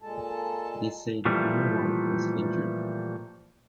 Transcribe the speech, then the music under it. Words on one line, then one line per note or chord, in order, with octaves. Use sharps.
They said no one was injured.
A#2 G#3 A4 A5
A#2 E3 F3 G3 A3